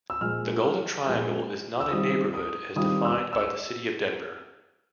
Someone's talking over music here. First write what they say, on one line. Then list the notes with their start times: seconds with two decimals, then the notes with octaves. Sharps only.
The Golden Triangle is not a neighborhood as defined by the city of Denver.
0.10 E6
0.21 A#2 F3 G#3 F6
1.06 A#2 F3 G#3
1.80 E6
1.91 D#3 G3 C4 F4 D#6
2.34 D#6
2.76 D#3 G3 C4 F4 D#6
3.05 E6
3.33 E6